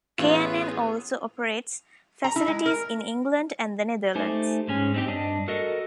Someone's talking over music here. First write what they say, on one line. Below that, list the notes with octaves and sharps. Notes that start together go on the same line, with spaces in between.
K and N also operates facilities in England and the Netherlands.
A1 E3 B3 F4 G#4
A#5
E4
G#3
A#4
A3 D#4 G4 C5 G#5
G#2 G#3 C#4 G#5
C4 D#4 G4
G2 D4 D#5
F#4 A4 A#4 D#5